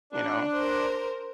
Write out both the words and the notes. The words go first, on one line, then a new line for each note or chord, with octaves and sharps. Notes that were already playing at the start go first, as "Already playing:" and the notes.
you know?
D4
A#4 C5